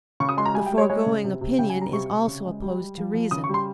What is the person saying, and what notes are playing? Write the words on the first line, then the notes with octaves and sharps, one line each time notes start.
The foregoing opinion is also opposed to reason.
C#3 C#6
D#6
G#3 C6
A#5
G3 G#5
G5
G3
C#5
G#3 C#5
C#3
C3
C3
C#3 G5
G#5
G3
A#5
C3 C#6
C3
C#3
G#3
G3
G3
F3
F3
C#3 D#6
C#6
G3 C6